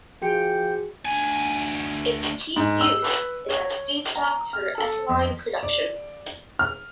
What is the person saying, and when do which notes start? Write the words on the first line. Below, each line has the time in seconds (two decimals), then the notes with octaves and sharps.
Its chief use is as feedstock for ethylene production.
0.22 F3 F#4 G#4 G5 C#7
1.05 D2 G#5
2.56 G#2
2.81 E6
3.02 B4
3.49 C#5
4.16 A#5
4.53 F6
4.78 A4
5.09 F2
5.63 D5
6.59 F6